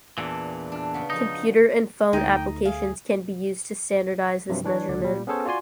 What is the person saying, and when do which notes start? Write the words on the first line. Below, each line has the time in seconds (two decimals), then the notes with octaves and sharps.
Computer and phone applications can be used to standardize this measurement.
0.18 E2 A#2 E3 D4
0.72 D4
0.94 C#3 B3
1.10 C#3 F3 D#4
2.13 D2 A3 D#4 G5
2.65 G#4 F5
4.49 G2 C3 F3 F#3
4.64 E3 D4 C#5
4.89 C#2 D3 D5
5.00 A#2 G3
5.27 B3 C#4 G#4 A4 C5 C#5
5.45 F4 F#4 D5 G#5 C6